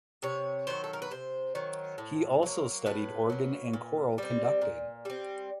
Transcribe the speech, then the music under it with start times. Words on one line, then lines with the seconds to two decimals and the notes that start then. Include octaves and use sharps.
He also studied organ and choral conducting.
0.23 C3 C#5
0.67 D#3 F#3 C5
0.84 A4
0.93 A#4
1.02 B4
1.11 C3 C5
1.55 D#3 F#3
1.98 A2
2.43 F#3 A#3
2.86 A2 B4
3.30 F#3 A#3
3.73 A#2
4.18 G3 C4
4.62 A#2
5.05 G3 C4